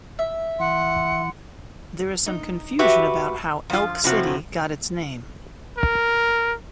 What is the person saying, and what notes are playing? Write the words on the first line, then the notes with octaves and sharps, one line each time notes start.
There is some confusion about how Elk City got its name.
E5
E3 F#5 C6
D#4
F#4 G4 B4 E5
F3 F4
A2 C3 F3 F#3 C4 F#4
A#4